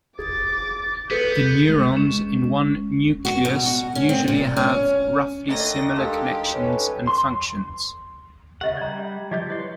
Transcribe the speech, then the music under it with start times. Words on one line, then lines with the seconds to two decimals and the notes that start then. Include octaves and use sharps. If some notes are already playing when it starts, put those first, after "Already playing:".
The neurons in one nucleus usually have roughly similar connections and functions.
0.19 G#4 D6 A6
1.11 B3 G#4 A4 B4 G6
1.69 G#3
1.97 C#4
3.25 F#4
3.45 B2
3.66 F#4
3.95 C#4
4.09 C4
4.28 A#2
4.57 C#4
5.48 D3 A3 A#3 D4 D#5 G5 A#6
5.96 G#3 D#4 G4 A4 F5
6.53 C#4 A4 B4 C#5
7.07 C6
8.61 C#3 G4 D#5 E5 F#5
8.77 G3 D5 A#5 G6
9.31 F3 G4 D5 D#5 G6
9.50 E4 B4 C#5 C6